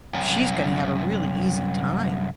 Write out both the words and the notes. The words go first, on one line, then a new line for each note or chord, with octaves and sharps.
she's gonna have a really easy time.
C2 F#2